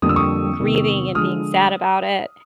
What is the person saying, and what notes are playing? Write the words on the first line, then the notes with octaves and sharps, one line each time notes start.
grieving and being sad about it,
F2 D3 G3 A#3 D#6
E6
C#6 D#6
E2 C3 D#3
D3 F3 G#3 D#6 F6